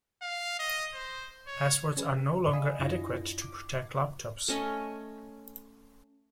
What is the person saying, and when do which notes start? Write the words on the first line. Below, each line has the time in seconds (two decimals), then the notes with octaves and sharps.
Passwords are no longer adequate to protect laptops.
0.22 F5
0.59 D#5
0.94 C5
1.47 C#5
1.97 C#4 G#4 B4
2.53 D5 D#5 F5 G#5 B5 D#6
2.79 F#2 D4 E4 F4 A#6
3.42 D6
4.48 A3 C#4 D#5